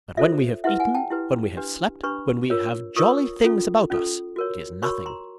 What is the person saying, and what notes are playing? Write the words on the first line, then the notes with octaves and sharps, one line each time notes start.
But when we have eaten, when we have slept, when we have jolly things about us--it is nothing.
F4 A4 C5 D5 E5
E4 G4 B4 E5 F#5
F#5 G#5
G5 A5
E4 G4 B4
D4 G4 B4
D4 G4 B4 B5 C#6
F4 A#4 C#5
F4 A#4 C#5 C#6 D#6
C#4 F4 A4
C#4 F4 A4
F#4 A#4 C#5
F#4 A#4 C#5 B5 C#6
A#5 C6